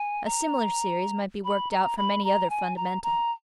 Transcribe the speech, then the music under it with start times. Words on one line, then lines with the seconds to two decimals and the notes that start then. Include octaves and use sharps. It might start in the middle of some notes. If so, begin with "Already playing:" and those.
A similar series might be worked out from any other fundamental.
Already playing: G#5
0.25 A#5
1.44 B5
1.71 A#5
1.97 B5
2.24 A#5
2.50 G#5
2.76 A#5
3.03 A#5